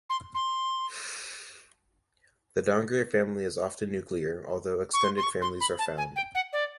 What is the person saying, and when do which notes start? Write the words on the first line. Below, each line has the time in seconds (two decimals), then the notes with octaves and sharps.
The Dongria family is often nuclear, although extended families are found.
0.10 C6
0.35 C6
4.94 C#6
5.04 C6
5.17 C6
5.23 C#6
5.42 C6
5.61 B5
5.79 A5
5.98 G#5
6.16 G5
6.35 F#5
6.53 D5